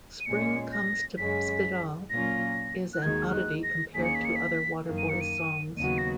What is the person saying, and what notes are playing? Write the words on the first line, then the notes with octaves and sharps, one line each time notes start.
"Spring Comes to Spiddal" is an oddity compared to other Waterboys songs.
D#7
A#2 G#3 C#4 C#7
A#6
F#2 C#3 G#3 C#4 B6
A#2 F#3 A#3 C#4 F4 A#6
F#6
D#2 D#3 G#3 D#4 F#4 G#6
F6
F#6
A#6
D#2 D#3 A#3 C#4 G#4 B6
C#7
B6
C#7
B6
F#2 D#3 A#3
D#7
C#7
D#7
D#2 C#3 F#3 B3 F#4 D#7
A#6